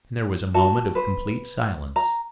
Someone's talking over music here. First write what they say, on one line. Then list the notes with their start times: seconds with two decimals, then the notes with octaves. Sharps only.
Then there was a moment of complete silence.
0.54 F#4 A5
0.95 B4 C5
1.96 A#5